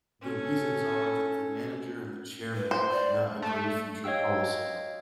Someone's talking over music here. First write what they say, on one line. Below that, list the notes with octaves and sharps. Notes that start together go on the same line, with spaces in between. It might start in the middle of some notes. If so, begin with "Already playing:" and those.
The reasons are that the manager and the chairman could not agree future policy.
C#4 A4
B4
C5
D5
A3
C#5 D#5 F5 G5 E6